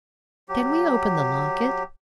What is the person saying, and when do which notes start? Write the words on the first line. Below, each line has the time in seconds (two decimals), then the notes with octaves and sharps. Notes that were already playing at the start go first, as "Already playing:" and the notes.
Can we open the locket?
0.49 F#3 G4